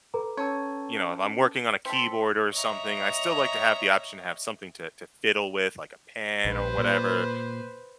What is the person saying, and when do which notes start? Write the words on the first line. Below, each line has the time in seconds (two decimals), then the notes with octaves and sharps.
you know if I'm working on a keyboard or something, I still like to have the option to have something to to fiddle with, like a pen or whatever,
0.14 A4 B4 A#5
0.37 C#4 C#5 A5 E6
1.85 C4 A4 C6 B6 C#7
2.53 C#5 D#5 E5 A#5
6.45 A#1 B4 C5
6.78 A#2